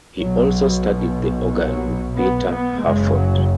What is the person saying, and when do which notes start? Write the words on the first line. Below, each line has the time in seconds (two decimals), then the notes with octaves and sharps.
He also studied the organ with Peter Hurford.
0.18 B1 B2 F#3
1.50 F#3
2.16 B3
2.49 B3
2.82 F#1 F#2 C#3 G#3
3.15 F#3